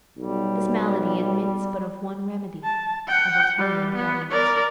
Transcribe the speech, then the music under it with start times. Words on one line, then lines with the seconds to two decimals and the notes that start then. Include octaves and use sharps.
This malady admits but of one remedy; I will tell you what that is.
0.18 B1 G3
2.64 A5
3.08 F#5 G5
3.58 G3
3.95 B3
4.30 A#4 D5